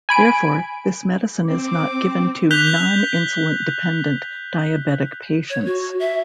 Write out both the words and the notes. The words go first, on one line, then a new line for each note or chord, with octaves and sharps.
Therefore, this medicine is not given to non-insulin dependent diabetic patients.
G#5 B5 D7
C4 D6
F#6 G6 B6 F7 G7
C#5
F#4
E5